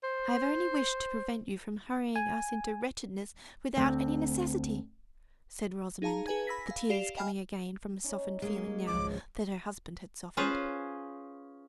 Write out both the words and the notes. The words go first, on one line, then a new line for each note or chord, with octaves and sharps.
"I have only wished to prevent you from hurrying us into wretchedness without any necessity," said Rosamond, the tears coming again from a softened feeling now that her husband had softened.
C5
G#5
D2 C4
D#4 G#4 F5 A5 A#5
G#4 B4 G#5 G#6
B5 E6 A#6 B6
F5
G4 D5 F5 C7 E7 F7
D#5 G5 G#5 B5 F6
C#4 D#4
G#3 A#3
G#1 C#2 F#2 F3 D6
C#4 F4 G#4 B4 C5 F5